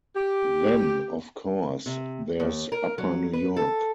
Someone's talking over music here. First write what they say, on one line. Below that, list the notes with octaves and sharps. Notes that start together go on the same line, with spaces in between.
Then, of course, there's upper New York.
G4
C3
D#2
A#4
F#3
B4
A4